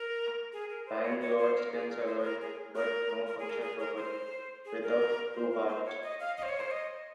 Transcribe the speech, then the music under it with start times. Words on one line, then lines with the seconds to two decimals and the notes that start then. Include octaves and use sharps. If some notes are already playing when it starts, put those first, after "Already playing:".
Time Lords can survive, but not function properly, without two hearts.
Already playing: A#4
0.53 G#4
0.70 A#4
0.86 C5
1.03 C#5
1.21 C#5
1.39 C5
1.56 A#4
1.73 G#4
1.90 A#4
2.01 C#5
2.07 C5
2.20 C5
2.24 A#4
2.41 G#4
2.75 A#4
3.27 A#4
3.39 G#4
3.50 A#4
3.61 G#4
3.79 A#4
3.97 C5
4.65 G#4
4.82 A#4
5.33 C5
5.52 A#4
5.68 C5
5.85 C#5
6.03 D#5
6.20 F5
6.37 D#5
6.43 C5
6.49 C#5
6.60 C5
6.71 D#5